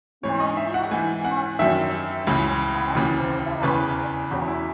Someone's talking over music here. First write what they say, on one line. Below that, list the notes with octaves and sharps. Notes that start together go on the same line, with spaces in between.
Daniel Markovits is the current holder of the chair.
G#2 E3 C#5
D#5
E5
F#5
G#2 E3 G#5
F#5
F#2 D#3 E5
C#2 C#3 E3
D#2 C#3 E3
E2 C#3 E3 B4
G#4
E2 C#3 E3 F#4
E4